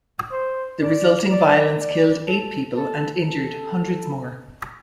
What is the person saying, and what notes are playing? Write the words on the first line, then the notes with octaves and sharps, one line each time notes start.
The resulting violence killed eight people, and injured hundreds more.
C5
D5
D5
D5
A4
A4
A4